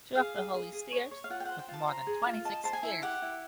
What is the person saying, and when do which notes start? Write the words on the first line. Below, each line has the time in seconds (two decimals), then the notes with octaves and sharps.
Two of the holy steers lived more than twenty-six years.
0.15 G#4 F5
0.35 G#4
0.54 G#4
0.73 G#4
0.92 C#5
1.11 C#5
1.24 F5
1.30 F4 F#5
1.40 G5
1.45 C5 F#5
1.59 G5
1.68 F4
1.74 A5
1.87 C5 A#5
2.07 G#4
2.27 F4
2.45 D#5 A5
2.64 C5 A5
2.73 G#5
2.83 E4
3.02 G4 F#5
3.22 E4